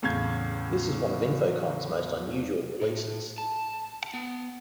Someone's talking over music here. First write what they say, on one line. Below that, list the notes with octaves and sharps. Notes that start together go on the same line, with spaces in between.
This was one of Infocom's most unusual releases.
E2 A2 C#3 F5 G6 G#6
A2
A5
B3